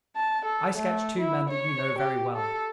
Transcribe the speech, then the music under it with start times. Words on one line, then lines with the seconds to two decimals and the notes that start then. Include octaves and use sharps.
I sketch two men that you know very well.
0.16 A5
0.46 A4
0.77 A3
1.20 E4
1.50 C#5
1.99 G4
2.36 A4